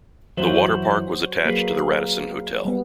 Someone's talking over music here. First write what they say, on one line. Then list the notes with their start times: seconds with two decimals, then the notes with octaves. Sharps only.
The water park was attached to the Radisson Hotel.
0.37 F#2 E3 F#3 E4 F#4 C5
1.45 F#3 A#3 G#4 B4
2.65 G3 B3